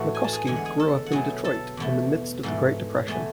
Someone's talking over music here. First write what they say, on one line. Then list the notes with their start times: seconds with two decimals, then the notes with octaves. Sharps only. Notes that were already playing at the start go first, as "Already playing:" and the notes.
McCosky grew up in Detroit in the midst of the Great Depression.
Already playing: A2 E3 A3 F#4 F#5
0.15 G#5
0.24 A5
0.33 G#4 G#5
0.47 E2 D3 G#3 G#5
0.56 F#5
0.65 G#4 G#5
0.80 A4 A5
1.06 F#5
1.12 B2 F#3 A3 G#4 G#5
1.44 A4 A5
1.77 E2 B2 A3
2.43 G#2 E3 A3
3.07 E2 B2 A3 G#4 G#5